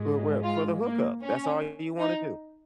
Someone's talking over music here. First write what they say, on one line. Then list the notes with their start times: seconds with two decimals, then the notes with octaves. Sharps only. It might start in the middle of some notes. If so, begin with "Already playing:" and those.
Wha where for the hookup, that's all you wanna do.
Already playing: G#2 G#3
0.44 F4
0.83 A#3
1.23 C#4
1.99 D#4